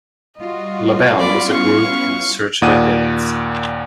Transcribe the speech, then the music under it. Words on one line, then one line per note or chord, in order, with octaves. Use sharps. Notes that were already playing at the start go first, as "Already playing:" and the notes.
Labelle was a group in search of a hit.
G3 F4 F#4 D#5
B3 C#4 E4 D5 B5
F5 C#6
D#2 A#2 D5 F#5 D#6 D#7